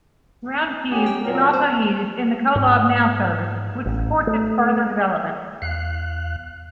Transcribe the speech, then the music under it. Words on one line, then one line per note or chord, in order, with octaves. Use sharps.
Roundcube is also used in the Kolab Now service which supports its further development.
B3 C#4 G4 G#5
G5
A#2 F#3 A#4
C4
F4 C5
G#2
A1
A3
E2 F5 F#6